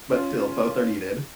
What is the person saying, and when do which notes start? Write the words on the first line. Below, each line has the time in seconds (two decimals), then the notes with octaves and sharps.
But still, both are needed.
0.11 C#4 F4